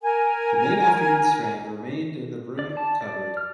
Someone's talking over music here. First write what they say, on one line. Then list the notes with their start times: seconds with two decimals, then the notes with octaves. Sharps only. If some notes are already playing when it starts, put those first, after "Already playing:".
The main afternoon strand remained in the Broom Cupboard.
0.02 A#4 G#5
2.59 D5
2.77 A5
3.01 D5
3.37 F6